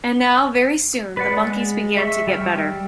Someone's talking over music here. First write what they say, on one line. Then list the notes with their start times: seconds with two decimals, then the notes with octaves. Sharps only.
And now very soon the monkeys began to get better.
1.17 B4 D5 F#5
1.30 G#3
1.97 E5 C#6 E6
2.27 G3 G5 E6 F6